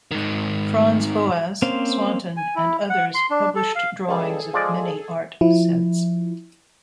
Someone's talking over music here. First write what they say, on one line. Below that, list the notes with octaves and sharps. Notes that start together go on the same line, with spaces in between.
Franz Boas, Swanton and others published drawings of many art sets.
G#2 D#3
A#3 C4 C#4 C5 F5
G#5
E4
F#5
C6
D4
A4
F5
C#2 G3 G#4 A4
F3 G#3 D5
F3 E4